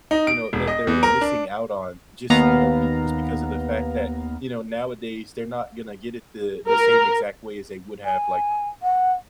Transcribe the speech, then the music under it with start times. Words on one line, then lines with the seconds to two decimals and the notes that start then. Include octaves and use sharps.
you know, that they're missing out on just, you know, be just because of the fact that, you know, nowadays, they're not gonna get it the the same exact way as they would have, like,
0.11 D#4
0.27 D7
0.53 E1
0.67 D#5
0.87 E2
1.03 A#4
1.21 D4
2.30 D#2 B3 F5 A#5
6.69 A#4
8.05 G#5
8.83 F#5